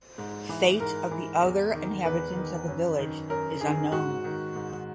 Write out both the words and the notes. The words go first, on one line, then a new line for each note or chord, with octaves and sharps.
Fate of the other inhabitants of the village is unknown.
G#2
E3
G#2 A#4
E3
E2
D#3
E2 B4
D#3
F#2
D#3
F#2 A#4
D#3 G#4
G#2 F#4
D#3
G#2